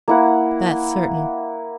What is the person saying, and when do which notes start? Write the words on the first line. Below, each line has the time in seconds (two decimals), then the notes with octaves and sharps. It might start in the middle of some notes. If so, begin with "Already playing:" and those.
"That's certain."
0.08 A#3 E4 F#5